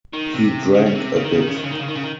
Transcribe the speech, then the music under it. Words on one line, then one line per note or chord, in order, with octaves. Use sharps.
He drank a bit.
D#3
C3
C#3
C#3
C3
C#3
D#3
C#3
D#3
C#3
D#3
C#3
D#3
C#3
D#3
C#3
D#3